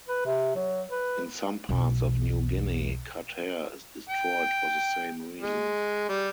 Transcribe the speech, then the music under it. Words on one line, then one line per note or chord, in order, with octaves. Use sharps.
In some parts of New Guinea cut hair is destroyed for the same reason.
B4
C3
F#3
B4
B1 E2
G5
G#3
G3